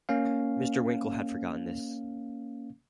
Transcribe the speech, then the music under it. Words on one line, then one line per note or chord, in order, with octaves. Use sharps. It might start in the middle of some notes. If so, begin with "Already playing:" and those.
Mr. Winkle had forgotten this.
A#3 C#4 F5